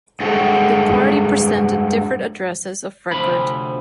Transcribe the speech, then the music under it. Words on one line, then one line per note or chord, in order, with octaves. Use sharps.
The party presented different addresses of record.
G2 G#3 F#4 A4
D2 C3 F3 B5